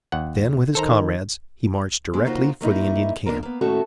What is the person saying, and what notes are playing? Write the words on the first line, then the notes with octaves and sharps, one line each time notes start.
Then, with his comrades, he marched directly for the Indian camp.
D#2 F#5
D#3 A4 C5 A#5
G#3 B3
C#3 A#3 D#4 F4 F#4 C5
F#3 A#3 D#4 E4
A#3 B3 D4 D#4 F4 A#4
A#3 B3
D#2 A2 A3 C#4 F#4 A4